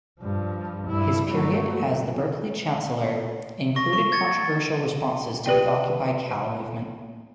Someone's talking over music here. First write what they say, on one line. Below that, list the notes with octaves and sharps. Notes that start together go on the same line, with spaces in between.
His period as the Berkeley chancellor included controversial responses to the Occupy Cal movement.
G2 F3
G2 E4
F#3 A3
C#6 A#6
C#6
G#6 A6 C#7
G4 B4 D5 G5